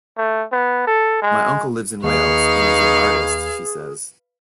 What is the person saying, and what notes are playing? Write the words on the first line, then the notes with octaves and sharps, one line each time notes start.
"My uncle lives in Wales and is an artist", she says.
A3
B3
A4
G#3
D#2 D#4 G#4 B4 F5 C#6